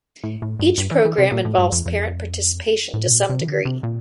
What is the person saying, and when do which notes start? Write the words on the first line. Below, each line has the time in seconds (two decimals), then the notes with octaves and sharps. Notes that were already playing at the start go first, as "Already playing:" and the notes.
Each program involves parent participation to some degree.
0.24 A2
0.42 A2
0.60 G2
0.78 G2
0.91 E3
1.05 E3
1.18 C3
1.32 A#2
1.45 A2
1.58 G2
1.72 F2
1.86 F2
2.94 A2
3.07 C3
3.11 A#2
3.30 C3
3.41 E3
3.48 D3
3.65 C3
3.83 A#2